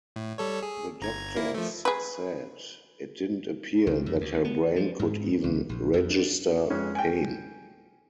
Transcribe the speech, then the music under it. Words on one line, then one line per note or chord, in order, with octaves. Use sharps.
The doctors said it didn't appear that her brain could even register pain.
A2
G3 A4 C#5
G#4
G1 A#5 G#6
A#3 E4 A#6
F3 A3
G#4 B4
C#2
F2
D2
B3
F3
G#2
C#2
A#1
F2
D4
F2 G#3 C#4
G5 G#5